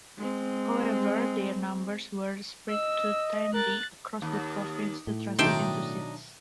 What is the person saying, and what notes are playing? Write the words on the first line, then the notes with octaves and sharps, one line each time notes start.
However, their numbers were spread too thinly across the province to translate into seats.
G#3 C4
D#5 E6
A#4 F#6 A6
D#2
A2
B2 D#3 F#3 D4 D#4 E5 G5 C6